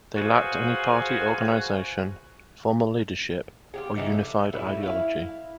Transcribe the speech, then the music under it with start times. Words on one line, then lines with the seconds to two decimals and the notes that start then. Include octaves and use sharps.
They lacked any party organisation, formal leadership, or unified ideology.
0.16 F#4 G#4 B4 C5 F5 G#5
3.74 F4 G4 G#4
3.97 C#3 E3 D#4
4.11 A4
4.53 A2 G3 E4 B4
4.83 E4 F5